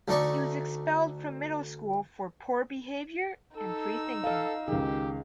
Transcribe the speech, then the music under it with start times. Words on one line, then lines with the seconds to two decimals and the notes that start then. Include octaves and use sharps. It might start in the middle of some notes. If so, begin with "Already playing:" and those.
He was expelled from middle school for poor behavior and free-thinking.
0.08 D2 A3 D#4 D5 C#6
3.57 D#4 A4 E6
4.24 A4 D#5 F5
4.68 C#2 D#3 G4 G#4